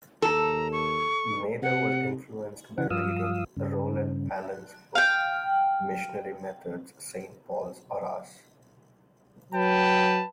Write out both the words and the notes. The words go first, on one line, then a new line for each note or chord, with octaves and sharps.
Mather was influenced by reading Roland Allen's book, Missionary Methods: Saint Paul's or Ours?
D#2 A4 A#5
C#6
C3 F#5
C#3 E3 F#5
G2 F3 F5 D#6 E6
G2 C#3
F5 G5
F#3 B4 G5 A5